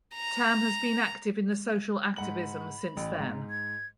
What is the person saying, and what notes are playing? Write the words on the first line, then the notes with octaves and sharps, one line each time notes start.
Tam has been active in the social activism since then.
A#5
G#2 F#5 B5 F#7
A1
G#2 A#5
G#6